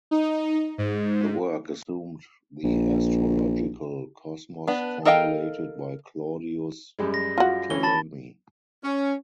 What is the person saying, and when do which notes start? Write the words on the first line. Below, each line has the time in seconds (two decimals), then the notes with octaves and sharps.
The work assumed the astrological cosmos formulated by Claudius Ptolemy.
0.11 D#4
0.78 G#2
2.64 A#1
4.67 B3 D4
5.05 A4 A#4 D#5 F5 G5
6.99 F#2 G3 G#3
7.14 A#6
7.38 F4 F#4
7.70 E3 C#4 G7
7.83 A5 B5 A6
8.83 C#4